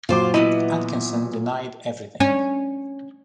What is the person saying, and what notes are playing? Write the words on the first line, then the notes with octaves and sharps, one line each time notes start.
Atkinson denied everything.
A#2 F#3 F4 C5 D6
E3 B3 E4 D#5
C#4